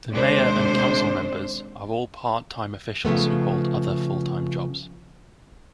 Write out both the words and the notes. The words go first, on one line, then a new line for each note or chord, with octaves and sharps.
The Mayor and Council Members are all part-time officials who hold other full-time jobs.
D#2 C3 G#3 D4 C5
C#3 F3 A3 B3